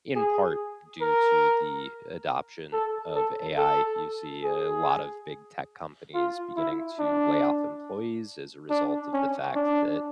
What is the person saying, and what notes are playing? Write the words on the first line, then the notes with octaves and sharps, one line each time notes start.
in part, due to the adoption of AI, you see a lot of big tech companies beginning to layoff employees as a result of the fact that
G#4
A#4
A4
A4
A4
G#4
F4
E4
D4
D4
C#4
D4